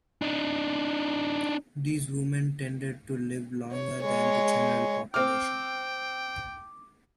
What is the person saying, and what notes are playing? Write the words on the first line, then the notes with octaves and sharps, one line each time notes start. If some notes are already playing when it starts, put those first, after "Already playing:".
These women tended to live longer than the general population.
D4 D#4
C#5
G#3 C#5
C4 G5 D6 F6